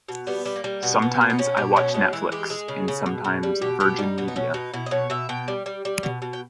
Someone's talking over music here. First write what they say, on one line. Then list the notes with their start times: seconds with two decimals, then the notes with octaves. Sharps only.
Sometimes I watch Netflix, and sometimes Virgin Media.
0.09 B2
0.27 G3 B3
0.45 G3
0.56 A#3
0.64 G3
0.83 B2 B3
1.02 B2
1.21 B2
1.30 D#4
1.39 B2 C#4
1.57 B2 G4
1.76 B2 C#4
1.94 G#3 C#4
2.13 E3 E4
2.32 G#3 G4
2.50 G#3 G#4
2.68 C#3
2.88 C#3
3.06 B2
3.24 B2
3.43 G3
3.61 B2 G4
3.80 B2 G4
3.98 G3 D#4
4.18 B2 B3
4.28 D#4
4.36 B2 C#4
4.54 B2 D#4
4.74 B2 E4
4.86 D#5
4.91 B2 C#5
5.10 B2 E5
5.29 B2 G5
5.48 G3
5.66 G3
5.85 G3
6.03 B2
6.22 B2
6.33 G5